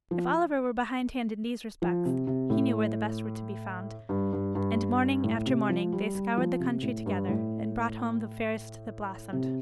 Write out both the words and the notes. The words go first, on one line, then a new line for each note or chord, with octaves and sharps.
If Oliver were behindhand in these respects, he knew where the best were to be found; and morning after morning they scoured the country together, and brought home the fairest that blossomed.
F3
F3
C3
C3
A2
G2
G2
G2
A2
C3
F3
G3
G3
F3
C3
A2
G2
A2
C3